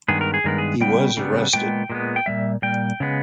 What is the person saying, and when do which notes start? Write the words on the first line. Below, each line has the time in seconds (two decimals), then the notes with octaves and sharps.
He was arrested.
0.08 G2 D#3 G#3 B3 G#4
0.21 A#4
0.34 G#4
0.44 G2 D#3 G#3 B3 A#4
0.58 G#4
0.81 C#3 G3 B3 G5
1.17 C#3 G3 B3
1.53 A#2 G#3 B3 G5
1.90 A#2 G#3 B3
2.16 G5
2.26 A#2 G3 E5
2.62 A#2 G3 G5
3.00 C#3 G#3 B3